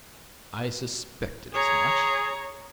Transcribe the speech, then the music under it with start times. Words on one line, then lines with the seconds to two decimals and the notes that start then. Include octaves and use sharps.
I suspected as much.
1.54 G#4 C#5 A#5